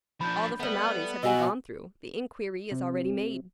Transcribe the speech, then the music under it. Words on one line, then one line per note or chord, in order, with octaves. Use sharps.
"All the formalities have been gone through; the inquiry is already made."
F3 D4 B5 G6
G3 A3 B3
B2 F#4 D#5 F#5 G#5 E6
C3